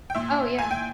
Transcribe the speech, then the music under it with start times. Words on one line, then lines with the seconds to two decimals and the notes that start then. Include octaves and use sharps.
Oh, yeah.
0.10 G5
0.15 A#2 E5
0.59 G#5
0.71 G5